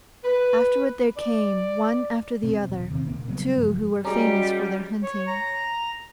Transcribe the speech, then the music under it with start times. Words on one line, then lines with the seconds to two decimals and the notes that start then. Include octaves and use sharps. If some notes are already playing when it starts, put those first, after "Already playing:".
Afterward there came, one after the other, two who were famous for their hunting.
0.23 B4
1.16 D5
2.43 B2 C4
2.69 D#1
2.91 C3 D#3 C4
3.07 C#2 A#2 A#3
3.28 C#3 F#3 G3 B3
3.57 G2 C#3 F3 F#3
4.05 G3 G#3 C#4 F#4 G#4 D5 A#5 D6
5.03 C#5
5.27 A#5